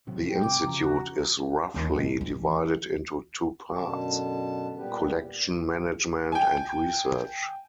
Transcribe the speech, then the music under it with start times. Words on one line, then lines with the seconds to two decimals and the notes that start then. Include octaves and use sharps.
The institute is roughly divided into two parts: Collection Management and Research.
0.07 A2 C3 F#3
0.30 G5
0.44 G2 C3 D6
0.61 F2 C#3 F3 A#5
0.78 F#4
1.74 D#2
1.96 A#1
2.21 E3
3.77 F#2 B2 D3 A5
4.77 A#2 G3 B3 G4 B4
6.32 G5 G#5